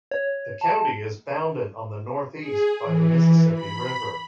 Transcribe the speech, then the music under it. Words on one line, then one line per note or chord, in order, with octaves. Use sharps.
The county is bounded on the northeast by the Mississippi River.
C#5
A5
G#4
E3
B5